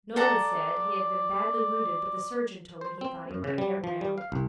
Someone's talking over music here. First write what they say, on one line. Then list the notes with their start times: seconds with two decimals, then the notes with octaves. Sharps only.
Nolan said he had been badly wounded, but the surgeon told me he thought he might get round.
0.16 A4 D5 F#5 A#5
2.81 C5
3.01 C4
3.31 F#2
3.44 C#3
3.58 G3
3.84 F3
4.01 G3
4.18 F5
4.32 C2